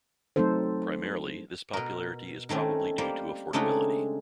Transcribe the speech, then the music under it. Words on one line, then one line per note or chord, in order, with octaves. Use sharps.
Primarily, this popularity is probably due to affordability.
F#3 A3 C4 D#4 A4 C5
B2 A#4
D#3 A3 C4 C#4
G3 A#3 C5
C#3 G#3 A3 C4 D4 D#4